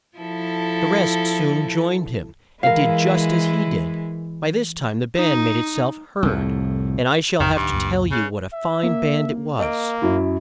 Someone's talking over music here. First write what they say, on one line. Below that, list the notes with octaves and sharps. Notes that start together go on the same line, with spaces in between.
The rest soon joined him, and did just as he did. By this time the band made it-self heard, and I shall have to tell you what a fine band it was.
F3 E4 A4
E3 G#3 E4 A#4 F5
D#4
C2 F2 A2
A1 F2 D#3
D1 G2 D#3
C#2 F#2 A#2
C#3
E5
A#3
A#3 D#5 D7
F#2 F#3 E4